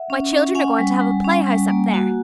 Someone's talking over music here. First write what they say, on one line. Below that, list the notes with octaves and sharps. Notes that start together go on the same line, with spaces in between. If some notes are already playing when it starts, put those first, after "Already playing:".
My children are going to have a play-house up there.
Already playing: E5 F#5
C#4
C#4
C#4 F#5 G#5
G3
G3
C#4
G3
A#3
F#4